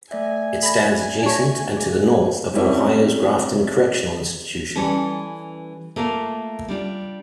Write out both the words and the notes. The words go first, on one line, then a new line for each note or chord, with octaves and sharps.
It stands adjacent and to the north of Ohio's Grafton Correctional Institution.
A3 D5 E5 G#5
A4 B5
D4 C#5
G#4
G3 C4 C#4 E4
E3 G3 C#4 A4
A3 A#3 F4 A4 A#4
G3 D4 F4